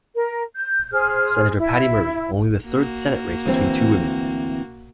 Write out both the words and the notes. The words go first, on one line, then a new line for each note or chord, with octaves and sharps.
Senator Patty Murray, only the third Senate race between two women.
A#4
G6
G#4 C5 F6
E4
A#3 F#4
D2 E3 C4